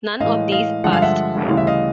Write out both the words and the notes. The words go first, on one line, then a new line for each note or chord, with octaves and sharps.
None of these passed.
A2 E3 G#3 D#5 F5
D#5 F5
G2 D3 F3 G#3 F#5
F5
E5 F#5
D2 C#3 E3 G3 F5
E5
D#5 F5